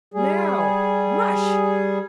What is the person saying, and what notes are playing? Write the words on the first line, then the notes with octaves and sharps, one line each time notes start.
"Now, MUSH!"
G3 G#4